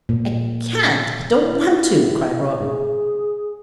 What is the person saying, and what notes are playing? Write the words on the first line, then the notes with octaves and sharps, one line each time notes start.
"I can't--I don't want to," cried Robin.
A#2
E4
G#4